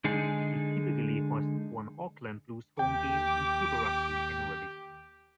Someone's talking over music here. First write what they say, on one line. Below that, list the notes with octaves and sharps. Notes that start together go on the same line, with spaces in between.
It typically hosts one Auckland Blues home game in Super Rugby annually.
D3 G#3 D#4 G#4
D#2 G4 G5 D6